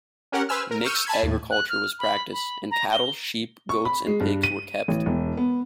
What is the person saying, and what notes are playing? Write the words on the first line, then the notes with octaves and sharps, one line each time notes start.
Mixed agriculture was practiced, and cattle, sheep, goats and pigs were kept.
C#4 G4 A#4 F#5
B4 C5 G#5 E6 F6
A#4
C#6 E6 F6 G6 C#7 D#7
G#5 A5 B5 G#6
D#2 A2
F#6
F6
B5
B5
A#5
G7
C#6
B5
G#3
G2
D#7
A1
E1
B3